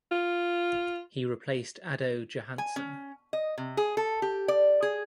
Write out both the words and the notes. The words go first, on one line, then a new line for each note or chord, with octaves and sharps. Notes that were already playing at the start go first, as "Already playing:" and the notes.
He replaced Ado Johanson.
F4
G#5
C#4
D#5
C3
G#4
A4
G4
D5
G#4